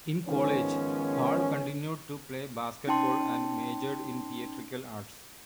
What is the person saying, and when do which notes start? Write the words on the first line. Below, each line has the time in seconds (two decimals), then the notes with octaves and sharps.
In college, Hall continued to play basketball and majored in Theatrical Arts.
0.26 G#2 D#3 F3 B3 C#4
2.87 C#4 D#4 G5 A5 C6